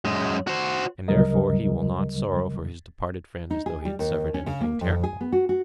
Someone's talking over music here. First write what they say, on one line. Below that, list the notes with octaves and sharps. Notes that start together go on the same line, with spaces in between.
And therefore he will not sorrow for his departed friend as though he had suffered anything terrible?
F#2 G#3
F#4 C5
D2 C#3 F#3 G3 A#4 D#5
D#4
G#4
G3
D#2
C#4
C#3
A#3
F2
G#4
B3
F#4
F#4